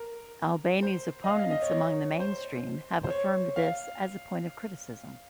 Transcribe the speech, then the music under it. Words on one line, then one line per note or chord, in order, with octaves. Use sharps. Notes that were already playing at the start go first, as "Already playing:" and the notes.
Albani's opponents among the mainstream have affirmed this as a point of criticism.
Already playing: A#4
C5
D#5
F5
F5
D#5
C#5
C5
C5
C#5
F5